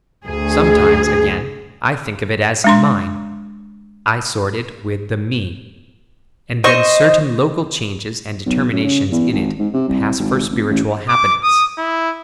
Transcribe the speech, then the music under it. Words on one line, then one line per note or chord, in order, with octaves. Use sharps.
Sometimes, again, I think of it as 'mine,' I sort it with the 'me,' and then certain local changes and determinations in it pass for spiritual happenings.
D2 G#4
G#3 D4 C6
C5 D#5 C#6
B1
F#2
C#3
E2
G#1
G#2
C3
C2
G#1
F1
A1
D6
D#6
E4